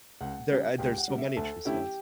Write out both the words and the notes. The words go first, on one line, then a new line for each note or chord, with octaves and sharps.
there uh, there's so many true selves.
C#2 F#5
C#3 G3
C#2 G4 G5
F#5
C#3 G3
E5
D2 A4 A5
D3 A3 C#4 E4 G4 G5